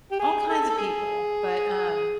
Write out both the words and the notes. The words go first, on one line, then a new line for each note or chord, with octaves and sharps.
all kinds of people, but, um,
G4
G#4
A4
A4
G#4